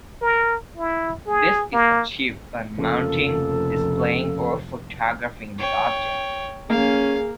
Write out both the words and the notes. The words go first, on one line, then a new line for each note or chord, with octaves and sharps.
This is achieved by mounting, displaying or photographing the object.
A#4
E4
G#4
A#3
F1 C#3 F3 A#3 A4
C#5 G5
A#3 C#4 G#4 F5